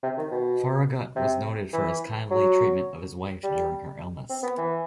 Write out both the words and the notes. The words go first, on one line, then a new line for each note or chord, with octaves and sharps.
Farragut was noted for his kindly treatment of his wife during her illness.
C3
D#3
B2
C3
E3
F#3
G3
C4
B3
E3